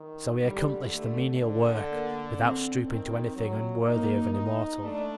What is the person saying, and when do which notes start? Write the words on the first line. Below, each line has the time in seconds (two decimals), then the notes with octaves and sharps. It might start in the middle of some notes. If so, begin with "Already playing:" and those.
So he accomplished the menial work without stooping to anything unworthy of an immortal.
Already playing: D#3
0.42 D3 G3
0.92 A3
1.41 D3
1.90 A#3
2.39 C4
2.87 D#3 C4
3.36 F#3
3.85 A#3 D#4
4.34 D#4
4.83 A3 D4